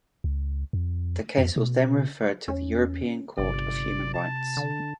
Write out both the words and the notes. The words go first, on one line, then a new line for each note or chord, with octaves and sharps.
The case was then referred to the European Court of Human Rights.
C#2
F2
F2
B2
E2 C#4
G1 C3 D5
A5
D3